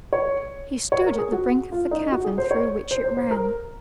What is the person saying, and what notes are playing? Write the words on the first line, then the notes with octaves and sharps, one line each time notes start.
He stood at the brink of the chasm through which it ran.
C#5
C#5
A#4
G#4
F#4
F4
D#4
F#4
G#4
C5
C#5
C5
C5
C5
A#4